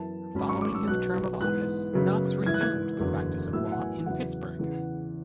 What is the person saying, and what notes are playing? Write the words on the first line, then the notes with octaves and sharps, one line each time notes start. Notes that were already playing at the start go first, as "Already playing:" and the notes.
Following his term of office, Knox resumed the practice of law in Pittsburgh.
Already playing: F#2 E3 B3 E4 A5
G#1 G#2 F#3 C#4 B5
C#6
D6
E6
B1 B2 F#3 B3 F#6
G#2 E3 B3 F#6
F#2 C#3 F#3 B3
G#2 E3 B3 E4 G#6
F#6
G#6
F#1 E2 D3 F#3
A2 F#3 B3 E4 E6
F#5
G#5
E2 C#3 F#3 B3 E4 F#5
E2 C#3 E3